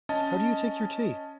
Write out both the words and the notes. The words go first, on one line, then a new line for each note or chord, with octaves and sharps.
How do you take your tea?
C#4 D#5 A5